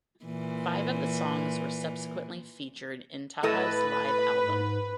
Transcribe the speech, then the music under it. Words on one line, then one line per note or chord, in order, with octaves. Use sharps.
Five of the songs were subsequently featured in Taha's live album.
A#2 E3
A2 A4 B4 D#5
G#2